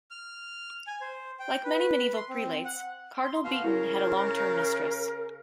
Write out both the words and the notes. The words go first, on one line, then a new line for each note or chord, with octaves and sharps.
Like many medieval prelates, Cardinal Beaton had a long-term mistress.
F6
G#5
C5
G5
B4
C6
C4
F#5
C6
B2 F5
C#3 E4 A#4